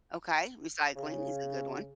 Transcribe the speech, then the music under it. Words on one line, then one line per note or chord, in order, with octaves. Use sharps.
Okay, recycling is a good one.
C#3